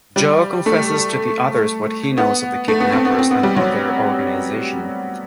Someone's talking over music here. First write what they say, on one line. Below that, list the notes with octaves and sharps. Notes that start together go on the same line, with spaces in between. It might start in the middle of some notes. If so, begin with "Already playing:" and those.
Joe confesses to the others what he knows of the kidnappers and of their organization.
G3
A3
B3
A3
B3
C4
B3
C4
B3
G3
F#3